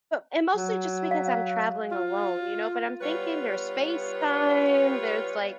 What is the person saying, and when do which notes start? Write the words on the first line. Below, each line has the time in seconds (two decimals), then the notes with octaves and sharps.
but and mostly just because I'm traveling alone, you know, but I'm thinking there's FaceTime, there's like,
0.56 F#3
1.11 F5
1.92 F4
3.01 G3 B3 F4 B4 C#5